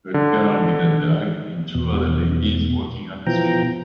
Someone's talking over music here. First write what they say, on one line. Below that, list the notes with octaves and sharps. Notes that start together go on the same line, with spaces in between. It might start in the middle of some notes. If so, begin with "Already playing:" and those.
A girl with a dog and two other ladies walking on a street.
D3
E2 B2
B2 E3 F3 G5 A#5